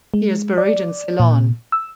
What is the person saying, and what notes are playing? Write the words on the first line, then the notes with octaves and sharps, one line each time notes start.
He is buried in Ceylon.
G#3
D5
A#2
E6